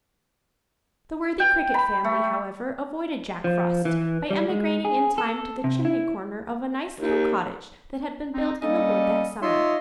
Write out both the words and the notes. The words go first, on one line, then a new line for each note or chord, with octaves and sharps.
The worthy Cricket family, however, avoided Jack Frost by emigrating in time to the chimney-corner of a nice little cottage that had been built in the wood that summer.
G5
B5
A3
F3
E3
G3
G#3
G#4
A4
C3
E4
D#2
C4 D#4
G3 A#3 C#4 A4 D#5
D#4 F4 C#5 D#5 E5 C6